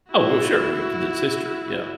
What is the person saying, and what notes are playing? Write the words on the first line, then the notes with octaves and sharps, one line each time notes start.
Oh, well, sure, we 'cause it's history, yeah.
E4 F#4